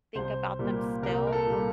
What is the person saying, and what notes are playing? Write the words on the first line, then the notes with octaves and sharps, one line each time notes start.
think about them still,
C2 C5
A#2 G3 A#3
C2 A#4
A#4
A4
A#2 G3 A#3